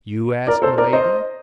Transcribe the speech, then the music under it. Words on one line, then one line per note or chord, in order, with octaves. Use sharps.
"You?" asked Milady.
A#4 D5
A4 C5
A#4 D5
C5 D#5